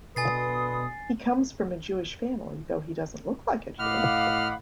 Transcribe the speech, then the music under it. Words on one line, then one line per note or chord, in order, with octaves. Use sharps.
He comes from a Jewish family, though doesn't look like a Jew.
B2 D3 B4 G#5 C6 D#6 A6 C7
A2 D#5 F5 F#5 B5 D6 F6